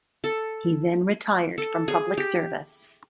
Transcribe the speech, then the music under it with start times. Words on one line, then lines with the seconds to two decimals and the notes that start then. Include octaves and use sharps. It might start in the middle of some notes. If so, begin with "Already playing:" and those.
He then retired from public service.
0.24 A4
1.58 A4
1.88 G#4
2.17 G4